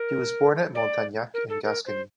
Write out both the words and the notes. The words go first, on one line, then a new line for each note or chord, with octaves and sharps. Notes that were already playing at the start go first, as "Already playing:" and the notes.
He was born at Montagnac in Gascony.
Already playing: A#4
D5
A#4
A4
A#4
C5